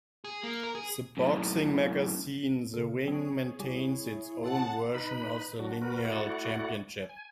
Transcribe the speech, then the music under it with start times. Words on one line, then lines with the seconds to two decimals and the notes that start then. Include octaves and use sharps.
The boxing magazine "The Ring" maintains its own version of the lineal championship.
0.25 G#4
0.43 A#3
0.63 A#4
0.75 G#4
1.17 F#2 A2
2.74 C#3 A4
3.05 F#3 C4 G#4 C#5
3.59 G3 E4 G4 G#5
4.41 B2 F#5 A5 C6 E6
4.94 D#4 B4 B5
5.59 F#3 D4 F#4
5.82 F#4 A#4 B4
6.05 A3 E4 F#4 D5 F#5
7.09 G#5